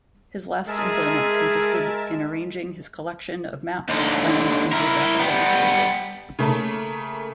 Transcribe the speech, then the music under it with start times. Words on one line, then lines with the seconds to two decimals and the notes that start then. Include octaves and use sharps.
His last employment consisted in arranging his collection of maps, plans and geographical materials.
0.67 G#3 G#4 A#4 E5 A5
3.89 D#2 D3
4.73 E4 A#4
5.19 G3 B3
6.39 C#3 A3 A#3 A5